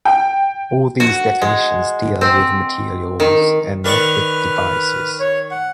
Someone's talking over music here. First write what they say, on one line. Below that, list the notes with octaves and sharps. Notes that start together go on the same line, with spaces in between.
All these definitions deal with materials and not with devices.
G5
F#4
G#3
C4
D#3
D#3 B4 D5 C#6 F6
C#5
F#5